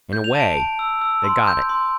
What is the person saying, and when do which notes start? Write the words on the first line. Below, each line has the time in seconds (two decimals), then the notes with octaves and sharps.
In a way, they got it.
0.13 G6
0.24 F7
0.35 A5 D7
0.57 A5
0.79 E6
1.01 E6
1.24 C6
1.47 G6
1.69 C6